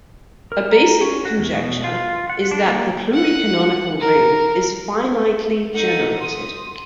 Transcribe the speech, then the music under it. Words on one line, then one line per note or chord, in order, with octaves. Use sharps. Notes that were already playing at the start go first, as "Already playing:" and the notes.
A basic conjecture is that the pluricanonical ring is finitely generated.
A#4
A#5
C#4
F#4
E2
B2
F4
F#5
D4
A#3
F#5
A#4
D#4 A4 F#5
C6 D#6